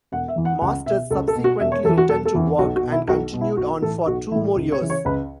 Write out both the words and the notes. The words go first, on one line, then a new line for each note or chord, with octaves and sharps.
Masters subsequently returned to work and continued on for two more years.
E1 F#5
E5
E2 E3
F#5
C#2 F#5
B2 E5
C#2 A4
A4
B2
F#4
E1 E5
C#5
E2 E3 A4
F#4
E1 A4
A4
E2 E3
B1 F#4
F#4
B2
E4
B1 F#4
B2
E4
B1 F#4
A2 E3 A4
B1 F#4
A2 E3 E4
C#2
C#5
C#3 E3
C#5
C#2 B4